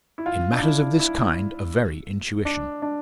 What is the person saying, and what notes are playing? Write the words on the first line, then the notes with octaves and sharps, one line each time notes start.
In matters of this kind a very intuition.
E4
F4
D4
E4
E4
D4
D4